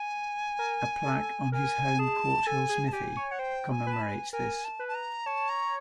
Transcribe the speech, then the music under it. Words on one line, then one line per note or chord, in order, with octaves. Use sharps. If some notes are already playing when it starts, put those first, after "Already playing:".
A plaque on his home, Courthill Smithy, commemorates this.
Already playing: G#5
A#4
A4
A#4 G#5
G#4 A5
A4 G#5
G#4
A5
G4 G#5
C#5
C#5 F#5
C5 G5
G#5
B4
A5
G#5
A#4 G#5
A5
B4
A5
A#5
C#5 A5
A#5